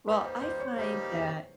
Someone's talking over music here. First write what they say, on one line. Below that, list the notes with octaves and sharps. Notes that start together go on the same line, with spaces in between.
Well, I find that
G3 A#3 D#4 G4 B4
C5
C5
C#5
G3 A#3 D#4 G4 C5